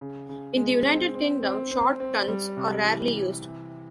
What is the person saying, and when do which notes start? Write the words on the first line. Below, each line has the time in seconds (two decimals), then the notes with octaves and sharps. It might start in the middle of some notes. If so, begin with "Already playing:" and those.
In the United Kingdom, short tons are rarely used.
0.01 C#3
0.29 C#3
0.57 G#3
0.85 C4
1.15 C4
1.43 C4
1.71 C4
2.00 C4
2.28 G3
2.57 C3
2.85 E3
3.14 C3
3.42 E3